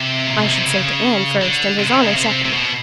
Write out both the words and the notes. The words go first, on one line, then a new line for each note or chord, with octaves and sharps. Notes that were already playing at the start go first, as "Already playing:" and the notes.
I should say to Ann first and His Honor second.
Already playing: C3
A#2
B2
C3
C#3
D3
C3
C#3
C3
C#3
C3
C3
B2